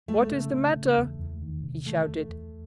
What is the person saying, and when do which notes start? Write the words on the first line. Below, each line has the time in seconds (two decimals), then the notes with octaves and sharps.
"What is the matter?" he shouted.
0.08 G#3 A3
0.32 C#3
0.53 C#3
0.75 C#3
0.97 E2
1.19 E2
1.42 D#3
1.63 C3
1.85 D#3 A3
2.07 E2
2.29 E2